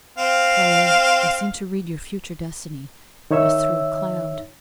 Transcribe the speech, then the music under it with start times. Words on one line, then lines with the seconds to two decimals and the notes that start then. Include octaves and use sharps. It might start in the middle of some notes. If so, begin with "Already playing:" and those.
Raoul, I seem to read your future destiny as through a cloud.
0.18 C4 F5
3.31 D#3 D#4 C#5 E5 E6